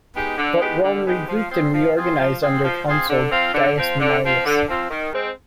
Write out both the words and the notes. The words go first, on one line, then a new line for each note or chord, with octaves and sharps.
But Rome regrouped and reorganized under Consul Gaius Marius.
G#3 B3 D#4 G4
D3
G#3 B3 D#4 G4
D3
G#3 B3 D#4 G4
F3
C4 F4 G#4 C5
F3
C4 F4 G#4 C5
F3
C4 F4 G#4 C5
F3
C4 F4 G#4 C5
D3
F3 C4 F4
D3
F3 C4 F4
D3
F3 C4 F4
D3
F3 C4 F4
D#3
G#3 C4